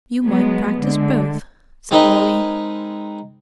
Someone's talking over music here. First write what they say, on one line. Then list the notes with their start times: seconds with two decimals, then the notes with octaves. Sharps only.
"You might practise both," said Wally.
0.24 F#3 G#3 B3
0.78 D3 G#3
1.91 G#3 C4 D#4 A#4 B4 D#5